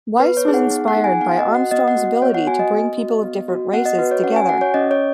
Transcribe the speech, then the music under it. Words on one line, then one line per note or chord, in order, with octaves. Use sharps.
Weiss was inspired by Armstrong's ability to bring people of different races together.
B3 B4
C#5
D#4 G#4
F#5
B3
F#5
D#4 G#4
G#5
B3 F#5
D#5
F#4
F#5
B3 D#5
F#5
F#4
D#5
B3 C#5
F#5
F#4 G#5
D#5
B3
F#4
B3
F#4
B3 F#5
D#5
F#4 B4
C#5
C#4 F#5
G#5
F#4 F#5
C#5
C#4 D#5
C#5